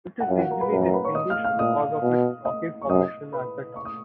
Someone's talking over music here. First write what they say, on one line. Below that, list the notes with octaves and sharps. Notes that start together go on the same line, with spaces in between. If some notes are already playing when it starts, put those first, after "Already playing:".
It is easily distinguished because of its rocky formation at the top.
F#5
F#2 F4 F5
F#4 F#5
A#4 A#5
B4 B5
F#2 A#4 A#5
A#4 A#5
B4 B5
C#5 C#6
D#5 D#6
F5 F6
F5 F6
A#2 D#5 D#6
B2
D#5 D#6
C#6
F#2 D#5 D#6
B4 B5
C#6
D#6